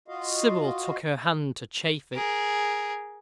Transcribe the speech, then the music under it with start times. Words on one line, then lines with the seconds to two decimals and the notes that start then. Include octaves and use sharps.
Sybil took her hand to chafe it.
0.08 F4 F#4 D#5 F5
2.14 G#4 A#4